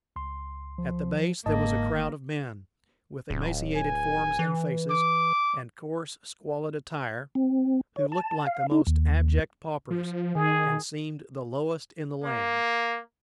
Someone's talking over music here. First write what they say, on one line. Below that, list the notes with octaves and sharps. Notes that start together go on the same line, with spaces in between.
At the base there was a crowd of men, with emaciated forms and faces, and coarse, squalid attire, who looked like the most abject paupers, and seemed the lowest in the land.
C#2 C6
F3
G1 G#2 A#3 D#5 A5
D1
G#5
E3
D6
C4
C#5
A5
F5
D#4
D#2
F3
D#3 G#4
A#3